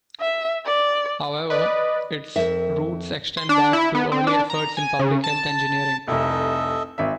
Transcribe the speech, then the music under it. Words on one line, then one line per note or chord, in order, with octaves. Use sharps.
However, its roots extend back to early efforts in public health engineering.
E5
D5
B4 D5 D#5
F2 A#4 E5
C6
D4
E4
B3
C4
D4
A#5
G#5
C#3
A5
F1 C2 A4 D#5 E5
G#1 E5